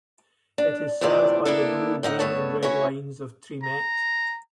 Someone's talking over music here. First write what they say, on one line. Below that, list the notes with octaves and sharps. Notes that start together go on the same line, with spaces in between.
It is served by the Blue, Green and Red Lines, of TriMet.
D4
E2 A2 C3 D4 F4 D5
A#3 B3 D4 E4 A4
A2 D#4 E5 F#5
G2 C#3 A3 B3 C#5 A5
C#4 E4 F#4 C#5
A#5